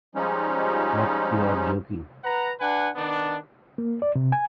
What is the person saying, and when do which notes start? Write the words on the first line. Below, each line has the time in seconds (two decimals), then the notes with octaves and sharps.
But you’re joking!
0.15 F3 G3 G#3 C#4 D#4
2.22 B4 F#5 A#5
2.60 D4 B4 F#5 G#5
2.96 D#3 B3 D4
3.78 A#3
4.02 D5
4.15 C3
4.32 G#5